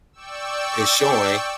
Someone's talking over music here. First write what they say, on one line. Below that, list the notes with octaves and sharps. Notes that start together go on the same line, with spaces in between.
is showing
D5 G5 C#6 E6